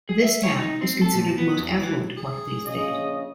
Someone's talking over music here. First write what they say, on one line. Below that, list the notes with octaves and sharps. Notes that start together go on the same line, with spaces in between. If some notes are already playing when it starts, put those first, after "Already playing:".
This half is considered the most affluent part of the estate.
G#4
E5
C#5
D#4
C4
A4
A#2
B3
E2
E3
G#4
A#1 C#3 D#5